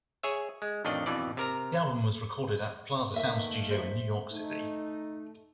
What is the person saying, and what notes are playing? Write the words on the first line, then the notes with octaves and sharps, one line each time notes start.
The album was recorded at Plaza Sound Studio in New York City.
G#4 C#5 E5
G#3
A1 F2 D#3 D4 D#5
F2 B2 E3 D5
C3 A#4 A#5
D#3 A3 A#3 B4 E5
C5 E5
A3 D#4